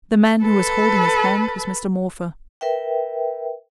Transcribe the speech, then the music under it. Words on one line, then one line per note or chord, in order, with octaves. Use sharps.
The man who was holding his hand was Mr. Morpher.
A4 B4
A#4 B4 E5 G5